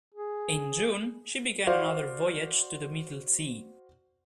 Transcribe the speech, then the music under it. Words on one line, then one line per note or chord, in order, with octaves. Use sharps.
In June, she began another voyage to the middle sea.
G#4
F#4 C5 D5 F5